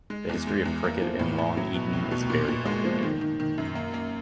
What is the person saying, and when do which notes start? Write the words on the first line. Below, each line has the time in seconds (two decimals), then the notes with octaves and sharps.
The history of cricket in Long Eaton is very complicated.
0.10 G#3
0.29 E2
0.47 G#3
0.65 E2
0.84 A#3
1.02 F3
1.19 A2
1.39 A2
1.57 F#3
1.75 B2
1.93 C2
2.11 B2
2.30 A#2
2.48 A#2
2.66 G#3
2.85 F3
3.03 D#3
3.21 D#3
3.40 D#3
3.58 F#2
3.75 A#3
3.94 A#3